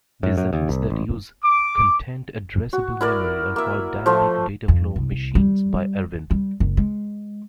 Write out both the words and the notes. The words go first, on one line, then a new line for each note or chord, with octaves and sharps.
Designs that use Content-addressable memory are called dynamic dataflow machines by Arvind.
F#2
F#2
D#2
C2
A1
D6
F#4
E4 A#4 D5
A#3 E5
F3 A3 F4
F2
C2
G3
G3
F#1
G#3